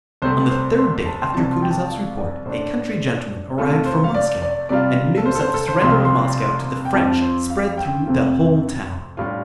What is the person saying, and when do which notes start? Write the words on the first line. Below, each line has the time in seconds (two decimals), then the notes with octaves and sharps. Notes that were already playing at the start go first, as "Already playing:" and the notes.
On the third day after Kutuzov's report a country gentleman arrived from Moscow, and news of the surrender of Moscow to the French spread through the whole town.
0.22 C2 C3 A3 C4 C5
0.50 C5
0.78 C6
1.06 A5
1.22 C6
1.34 C2 C3 F3 A5
1.52 C6
1.62 G5
1.71 A5
1.90 F5
2.18 D5
2.45 A2 A3 D4 C5
3.58 C3 A3 F4 A4
3.72 A4
3.86 C5
4.04 F5
4.14 D5
4.42 D5
4.69 C3 G3 F4 D5
5.17 A4
5.26 C5
5.35 A4
5.40 C5
5.54 A4
5.68 C5
5.82 C2 C3 F3 C4 F4 C6
6.05 C6
6.85 G5
6.93 F2 F3 C4 F4 A5
7.21 C5
7.50 F5
7.77 G5
8.06 F2 C3 A3 C4 F4
9.17 A2 G3 D4 F4